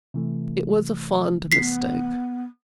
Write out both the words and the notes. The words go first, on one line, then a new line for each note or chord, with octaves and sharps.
It was a fond mistake.
C3 E3 A3
B3 B6 C7